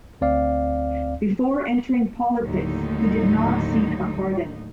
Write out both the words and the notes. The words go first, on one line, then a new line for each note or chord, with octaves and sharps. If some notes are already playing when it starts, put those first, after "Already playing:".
Before entering politics, he did not seek a pardon.
D2 C4 D5 F5
D#2 A2 D3 F#3 D#4